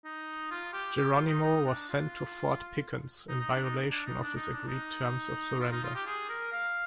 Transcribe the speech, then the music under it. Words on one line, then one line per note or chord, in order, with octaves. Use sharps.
Geronimo was sent to Fort Pickens, in violation of his agreed terms of surrender.
D#4
F4
G4
G4
F4
D#4
D#4
D4
F4
D#4
D#4
D4
D#4
D4
D#4
D4
D#4
D4
D#4
F4
D#4
F4
G4
G#4
A#4
F5